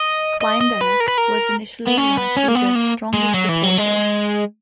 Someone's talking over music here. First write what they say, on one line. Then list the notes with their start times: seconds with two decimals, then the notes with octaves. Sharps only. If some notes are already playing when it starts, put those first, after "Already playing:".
Cimber was initially one of Caesar's strongest supporters.
Already playing: D#5
0.41 D#5
0.61 D#5
0.81 B4
1.00 A#4
1.08 B4
1.18 A#4
1.87 B3
1.97 C#4
2.17 B3
2.37 C#4
2.48 A#3
2.55 B3
2.75 A#3
3.14 G#3
3.34 F#3
3.49 E3
3.63 F#3
3.78 G#3